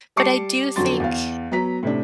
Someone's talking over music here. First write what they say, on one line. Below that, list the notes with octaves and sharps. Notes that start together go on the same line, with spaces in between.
but I do think
G3 A5 D6 C7 C#7
F2 D3 F#3 F#4 C6 A6
E2 F5
F#3 B3 A#5 B6
A2 C3 D4